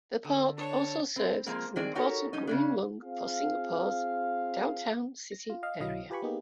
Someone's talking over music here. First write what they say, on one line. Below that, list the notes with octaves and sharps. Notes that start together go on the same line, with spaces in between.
The park also serves as an important green lung for Singapore's downtown city area.
D3
D4 B4 C#5 A5
C4
F3 G#3 A#3 C4 A#4
D#3 G#3 C4 G#4 D5
D#4 F#4 G4 A4 A#4 C#5
C#4 D#4 D#5
C#3 C#4 D4
C4 F4 G#4 F5
A#6
F4
D#5 F5
B1 F#3 E4 D#5 F5
F4 G4 B4 G#5 B5 C#6
A#3 B3 D#4 G4 G#4